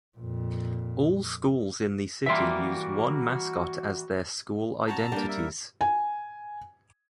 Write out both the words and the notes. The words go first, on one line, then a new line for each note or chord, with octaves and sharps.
All schools in the city use one mascot as their school identities.
F2 A#2
E3 G3 A#3 F#4 E5 C6
C4 F#4 C#5 A5 A#5
G3 A#3 D4 G4
A#4 E5
G#5